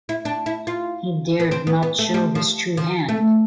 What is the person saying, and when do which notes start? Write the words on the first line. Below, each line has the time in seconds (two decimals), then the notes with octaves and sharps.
He dared not show his true hand.
0.09 E4
0.25 D4
0.46 E4
0.67 F4
1.40 B3
1.51 C4
1.67 B3
1.83 B3
1.98 A3
2.14 G3
2.35 F3
2.77 F3
3.09 A3